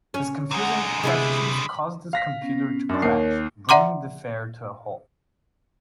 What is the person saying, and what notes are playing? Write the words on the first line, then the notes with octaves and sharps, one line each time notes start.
His confusing questions cause this computer to crash, bringing the fair to a halt.
C#4
D3 G#4 F#5 A#5
C3 G#3 B3 E4 B5
F5 A#6 B6
B3 C#4
F#2 D4 A5 D6
D#2 A#4 C#5 C7
D5 E5 F#5 A#5 C6 D6